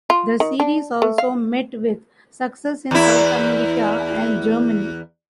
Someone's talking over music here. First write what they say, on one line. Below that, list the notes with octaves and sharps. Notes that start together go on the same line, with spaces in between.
The series also met with success in South America and Germany.
F4
D#3
D4
A3
F5
E2 E4